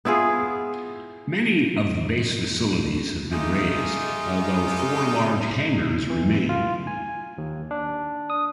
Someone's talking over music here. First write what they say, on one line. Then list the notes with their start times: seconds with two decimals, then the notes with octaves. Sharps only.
Many of the base facilities have been razed, although four large hangars remain.
0.05 B3 E4 F4 G#4
3.32 G#3 A3 D#4 F4 G4
6.10 E3
6.49 F4
6.87 G#5
7.38 D#2
7.71 D4
8.30 D#6